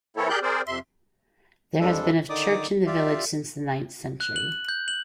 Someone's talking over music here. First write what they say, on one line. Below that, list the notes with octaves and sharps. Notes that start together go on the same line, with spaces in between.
There has been a church in the village since the ninth century.
E3 A#3 C4 E4 A4 C#5
G4 G#4 A#4 D5 F#6 G6
C4 G#4 A#4 C5 D5
F2 C3 E5 C6
F2 F3 G3 G#3 D4 A4
D3 D#3 D#4 D5 D6 D#6
F4 G4 D5 E5 F5
F#6
F#7
G6
F#7